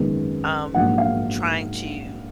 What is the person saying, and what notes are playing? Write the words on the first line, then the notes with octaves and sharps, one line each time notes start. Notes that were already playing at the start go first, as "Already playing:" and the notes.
um, trying to
Already playing: G#1 F#2 C#3 G#3 B3
A#1 G#2 F#3 A#3 F#5
F5